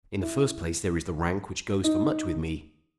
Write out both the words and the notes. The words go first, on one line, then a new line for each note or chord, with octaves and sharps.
In the first place there is the rank which goes for much with me.
E4
D#4